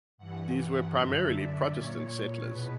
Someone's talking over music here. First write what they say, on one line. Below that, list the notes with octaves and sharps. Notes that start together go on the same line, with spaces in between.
These were primarily Protestant settlers.
G2 E3 F#5
F#2 D3 E5
D5
A#2 C#5
E2 B2 B4